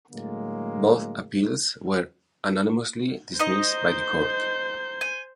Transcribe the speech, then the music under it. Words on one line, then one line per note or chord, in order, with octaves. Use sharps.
Both appeals were unanimously dismissed by the court.
A2 D3 F#3 G#3 A#3
D#4 C5 D#5 G6
G#5